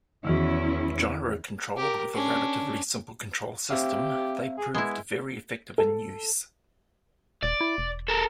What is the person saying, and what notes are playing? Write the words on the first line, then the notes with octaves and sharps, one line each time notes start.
Gyro controlled with a relatively simple control system, they proved very effective in use.
E2 D#3 E3 C#4 E4 F#4
G4 A#4
C#4 D4
C4 G4 E5 F5
G#4
G#3 B3 E4
A4
D#1 D5
E4
E1
A4 A#4